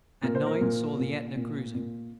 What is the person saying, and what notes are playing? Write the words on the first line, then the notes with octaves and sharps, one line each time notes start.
At nine saw the AEtna cruising.
A#2 A#4
C5
A#4
A#2
A#2
A#2
A#2